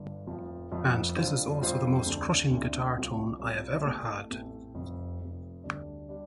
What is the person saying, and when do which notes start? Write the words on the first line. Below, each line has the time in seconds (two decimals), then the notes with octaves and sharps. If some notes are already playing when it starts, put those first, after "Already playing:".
And this is also the most crushing guitar tone I have ever had.
Already playing: G1 G2 D3
0.27 F1 F2 F3
0.71 F1 F2 F3
1.16 F2 D3 G3 F4 C5
1.61 F2 D3 G3 F4 C5
2.06 D2 D3 A3 C4
2.50 D2 D3 A3 C4
2.95 C2 C3 G3 C4 F4
3.40 C2 C3 G3 C4 F4
3.85 A1 A2 A3 C4
4.30 A1 A2 A3 C4
4.74 F1 F2 C3
5.20 F1 F2 C3
5.64 D2 D3 G3 D4
6.09 G3 D4